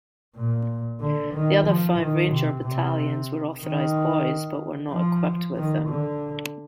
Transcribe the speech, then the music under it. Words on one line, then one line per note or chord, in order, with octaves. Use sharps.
The other five Ranger battalions were authorized Boys, but were not equipped with them.
A#2
D3
D#3
F3
D#3
C3
C3
D#3
F3
D#3
D3